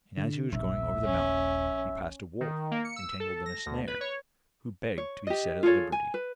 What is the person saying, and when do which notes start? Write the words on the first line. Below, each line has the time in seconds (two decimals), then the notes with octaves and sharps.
And as he was going over the mountain he passed a wolf entangled in a snare, who begged to be set at liberty.
0.17 D3
0.52 D#1 A#1 E5
1.05 C#4
2.41 D#3
2.71 A#3
2.85 C#7
2.96 E6
3.20 A4
3.46 A#6
3.66 D2
3.87 B4
4.01 C#5
4.98 C#5
5.27 G4 D#5
5.63 F4 G#4 A4 C#5
5.92 G#5
6.14 B4